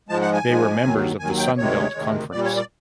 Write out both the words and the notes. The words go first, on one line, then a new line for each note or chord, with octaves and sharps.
They were members of the Sun Belt Conference.
G#2 F3 G#3 A5
F#5
G#5
G#2 F3 G#3
D#2 D#3 F#3
D#2 D#3 F#3 G#5
G5
D2 C3 D#3 G#3 C#5
D2 C3 D#3 G#3
A#2 G3 D5
C#5
D5